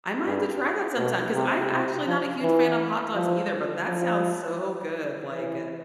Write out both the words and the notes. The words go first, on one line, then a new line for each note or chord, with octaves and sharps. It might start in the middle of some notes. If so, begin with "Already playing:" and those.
I might have to try that sometime, 'cause I actually not a huge fan of hot dogs either, but that sounds so good, like, uh,
G2
B2
C3
C3
F3
E3
F3
F3
E3